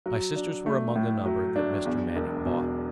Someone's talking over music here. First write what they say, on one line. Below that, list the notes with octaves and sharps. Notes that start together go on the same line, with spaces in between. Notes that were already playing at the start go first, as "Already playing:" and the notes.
My sisters were among the number that Mr. Manning bought.
F#3
D4
A3
A2
F#3
D4
E2
E1
B2